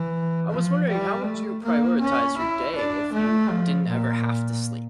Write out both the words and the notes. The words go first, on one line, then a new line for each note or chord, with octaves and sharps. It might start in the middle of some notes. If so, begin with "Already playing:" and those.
I was wondering how would you prioritize your day if you didn't ever have to sleep?
Already playing: E3
F3
G3
A3
A#3
C#4
E4
D4
A3
F3
A#2